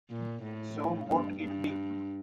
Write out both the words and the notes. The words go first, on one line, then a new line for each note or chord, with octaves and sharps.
So mote it be.
A#2
A2
G2
G2